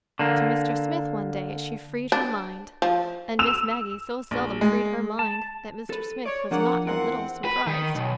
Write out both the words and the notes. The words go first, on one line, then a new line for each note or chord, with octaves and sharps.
To Mr. Smith, one day, she freed her mind--and Miss Maggie so seldom freed her mind that Mr. Smith was not a little surprised.
D3 A#3
D4
F3
E6 E7 F7
A#1
G#3
A5
A4 B4
C#5 D5
F3 A#3 D4 G#4 F#5
E2 C4 F4 A#4 F#5
B4
D#3
B1